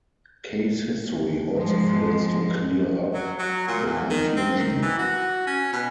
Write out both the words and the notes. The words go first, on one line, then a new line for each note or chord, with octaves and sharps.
Case history also fails to clear up the confusion.
G#2 F3 G#3
F#3
F#3
A#2
E2
D#3
C4
D#3
E3
F#4
C#4
B2